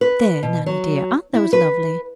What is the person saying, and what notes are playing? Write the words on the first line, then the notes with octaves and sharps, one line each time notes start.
There, Nannie dear, aren't those lovely?
B4
B2
F#3
E4
B4